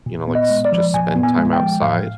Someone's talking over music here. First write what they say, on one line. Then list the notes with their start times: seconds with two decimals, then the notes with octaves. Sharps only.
you know, like, s just spend time outside,
0.06 A#2
0.28 B3
0.35 D#5
0.50 G#3
0.65 D5
0.72 F3
0.94 A#2 G#5
1.16 B3
1.23 G#5
1.38 G#3
1.53 G5
1.60 F3
1.82 A2 F5